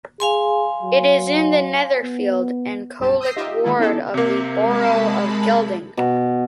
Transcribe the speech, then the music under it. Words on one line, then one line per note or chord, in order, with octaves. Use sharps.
It is in the Netherfield and Colwick ward of the Borough of Gedling.
G#4 F5 G#5 C6
F#3
B3
B1 G2 G4 A5
D#6 E6 G6 A#6 C7
D#4 F4 G4 D#5 E5
D#3 G#3 A#3 E4 F4 A4
B3 C#4 D#4 E4 G4 A4
C3 A#3
G#3 A5 B5
B2